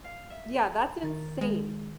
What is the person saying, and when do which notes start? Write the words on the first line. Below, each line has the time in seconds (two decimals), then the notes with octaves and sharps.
Yeah. That's insane.
0.04 F5
0.30 E5
1.02 D#3 A6
1.41 G#3